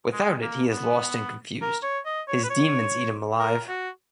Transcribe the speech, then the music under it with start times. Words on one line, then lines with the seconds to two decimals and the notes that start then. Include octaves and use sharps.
Without it, he is lost and confused; his demons eat him alive.
0.13 G#3
0.42 A#3
0.72 B3
1.62 A#4
1.83 C#5
2.06 D#5
2.28 C#5
2.44 B4
2.50 C#5
3.39 A#4
3.68 F#4